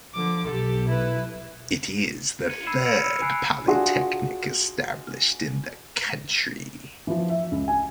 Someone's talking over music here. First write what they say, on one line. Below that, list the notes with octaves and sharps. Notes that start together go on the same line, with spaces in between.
It is the third polytechnic established in the country.
D3 F3 D6
B1 G4 A4
E4 B4
G#6 C#7 D#7
B5 E6 G#6 C7 D#7 E7
F6 G#6 A#6 C#7 D7 F7
B5 E6 F6
G#5 B5 F#6 C7 D7
D4 F4 F#4 G#4
E3 F3
E5
C#2
G#5